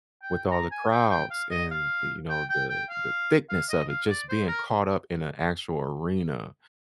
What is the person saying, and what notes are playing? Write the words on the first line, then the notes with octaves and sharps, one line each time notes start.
with all the crowds and the you know, the the thickness of it, just being caught up in an actual arena
G5
A#5
G#5
G5
G5
F5
D#5
F5
G5
G5
G5
F5
F5
D#5
F5
D5
C5
A#4